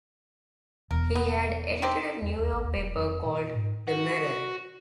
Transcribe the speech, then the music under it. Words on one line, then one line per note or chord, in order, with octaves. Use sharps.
He had edited a New York paper called "The Mirror".
E1 E2 A#4
B3
D#3 C4 G4
E2
D#2
A1
D#2
E1
F2
A#2
G#2
F#4